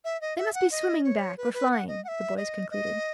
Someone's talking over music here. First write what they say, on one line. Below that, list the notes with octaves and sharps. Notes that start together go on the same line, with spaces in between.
"They must be swimming back or flying," the boys concluded.
E5
D#5
E5
F#5
D#5
C#5
B4
B4
F#5
D#5
F#5
E5
D#5
D#5